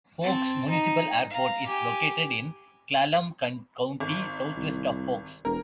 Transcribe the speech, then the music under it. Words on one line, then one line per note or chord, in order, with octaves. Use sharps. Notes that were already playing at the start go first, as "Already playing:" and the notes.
Forks Municipal Airport is located in Clallam County, southwest of Forks.
C4 A5
D#4
F5 A#5
G4 G#5
G#1
C2
E1 A#4